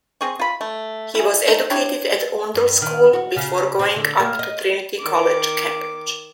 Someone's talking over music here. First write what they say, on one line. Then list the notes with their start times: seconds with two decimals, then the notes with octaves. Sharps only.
He was educated at Oundle School before going up to Trinity College, Cambridge.
0.21 C4 G#4 C#6
0.39 F4 B5
0.61 A3
1.15 E4 G#4
1.48 D#4
1.70 D4 E4 G4 C#5
2.54 G2
2.82 D#3
3.13 F#4
3.36 C#3
3.79 C4
3.96 D3
4.20 A#3
4.39 D#5
4.99 D#3 D6